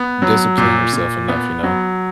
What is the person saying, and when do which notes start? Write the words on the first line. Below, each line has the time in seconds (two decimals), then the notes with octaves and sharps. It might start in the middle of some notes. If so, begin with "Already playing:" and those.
discipline yourself enough, you know?
Already playing: B3
0.22 F#3
0.58 A#2
0.93 A#2
1.28 B3
1.63 F#3